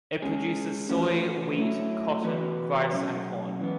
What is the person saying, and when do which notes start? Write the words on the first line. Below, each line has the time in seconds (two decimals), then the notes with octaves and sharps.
It produces soy, wheat, cotton, rice and corn.
0.22 G#3 C#4 G#4
0.89 E3 A3 C#4 F#4 B4
1.57 F#3 A3 E4
2.24 E3 B3 F#4 B4
2.92 B2 F#3 C#4 G#4
3.60 E3 G#3 B3